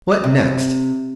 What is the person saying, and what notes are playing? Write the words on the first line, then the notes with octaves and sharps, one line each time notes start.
What next!
C3